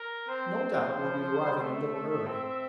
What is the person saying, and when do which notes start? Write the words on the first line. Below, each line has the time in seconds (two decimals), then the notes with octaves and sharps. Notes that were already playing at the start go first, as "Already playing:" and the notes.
No doubt we'll be arriving a little early.
Already playing: A#4
0.28 C4 C5
0.95 F3
1.17 F3
1.39 G3
1.61 A3 E5
1.95 A3
2.27 C4